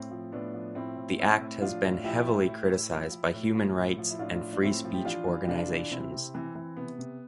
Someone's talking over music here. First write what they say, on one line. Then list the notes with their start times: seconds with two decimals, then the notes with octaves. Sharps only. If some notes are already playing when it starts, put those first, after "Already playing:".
The act has been heavily criticised by human rights and free speech organisations.
Already playing: A2 C4
0.11 F3
0.32 A2 B3 D4
0.54 F3
0.75 A2 C4 E4
0.97 A2
1.18 A2 C4 E4
1.40 A2
1.61 F3 D4 F4
1.83 A2
2.04 F3 E4 G4
2.26 A2
2.47 A2
2.69 A2
2.91 F3
3.12 F3
3.34 A2
3.55 F3
3.77 A2
3.98 F3
4.10 E4
4.19 A2 D4 F4
4.41 F3
4.53 D4
4.63 A2 C4 E4
4.84 F3
4.93 G4
5.05 E3 D4 F4
5.27 E3
5.44 G4
5.48 C3 D4 F4
5.70 E3
5.91 C3 C4 E4
6.12 C3
6.34 E3 C4
6.55 E3
6.77 C3 B3
6.98 C3